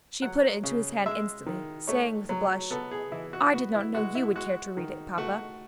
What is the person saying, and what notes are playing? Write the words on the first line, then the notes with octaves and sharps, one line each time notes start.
She put it into his hand instantly, saying, with a blush, "I did not know you would care to read it, papa."
F#3 F#5
C#3
G#3 E5
D#3
A3 C#5
F#3
B3 A4
G#4
E3 E4
F#4
B3 F#4
E4
G#3 F#4
E4
G#3 F#4
D#3
A3 F#4